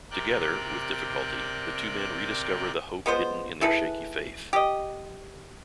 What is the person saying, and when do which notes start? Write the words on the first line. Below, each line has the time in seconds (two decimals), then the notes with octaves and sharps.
Together, with difficulty, the two men rediscover the hope hidden in their shaky faith.
0.11 C3 A#4 D5 G5 F#6
3.06 G#3 B3 F4 C5
3.61 E4 G#4 A4 B4
4.53 G4 D#5